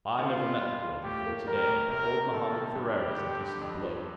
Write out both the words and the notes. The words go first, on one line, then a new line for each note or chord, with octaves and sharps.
I never met the girl before today, but old Mohammed Ferriera's a decent bloke.
D3 F4
D4
G3
F4
A2 G4
A#3
G3 A#4
A2
C3 A#4
A3
D#3 A4
C3
G2 G4
G3
D3
G2
F2
F3